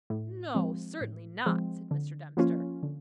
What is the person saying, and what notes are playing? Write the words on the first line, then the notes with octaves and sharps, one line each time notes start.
"No; certainly not," said Mr. Dempster.
A2
F3 G#3 C4
A2
F3 G#3 C4
D3
F3 A#3 C#4 F4
D3